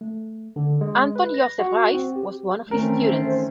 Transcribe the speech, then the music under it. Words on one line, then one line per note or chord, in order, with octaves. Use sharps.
Anton Josef Reiss was one of his students.
A3
D3
G#3
B4
A#6
F#4
C4
G4
D#3 E3 A3 C4 C#4 A#4
A4 C5 E5